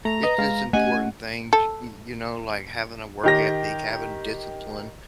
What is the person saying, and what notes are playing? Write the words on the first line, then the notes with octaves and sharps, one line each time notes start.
it's just important things, y y you know, like having a work ethic, having discipline,
A3 A#5
B4 D#5
G#3 F5
A3 C#4 G4 D#5 F#5 G#5
A4
D#3 G4 A#6